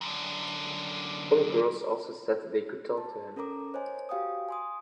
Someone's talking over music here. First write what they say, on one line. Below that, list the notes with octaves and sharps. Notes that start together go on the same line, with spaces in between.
Other girls also said they could talk to him.
F#2 D3
A5
C#4 A4 A#4 A#5 D6
C5 C#5 D#5 G#5
F#4 G4 F5 G5 G#5 D#6
G#5 C6 D#6